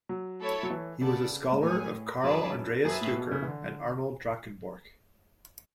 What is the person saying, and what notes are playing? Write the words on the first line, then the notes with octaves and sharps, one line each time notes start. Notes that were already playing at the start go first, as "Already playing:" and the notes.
He was a scholar of Karl Andreas Duker and Arnold Drakenborch.
F#3
A3 E4 A4 C#5
F#3
E3
C#3 B3 D4 A4 D5 A5
G#2
A2 G#4 C#5 G#5
F#2 C#4 G#4 B4 D5 A5
F#2 G#4 B4 E5 A5
A2
B2
C#3
E3
D3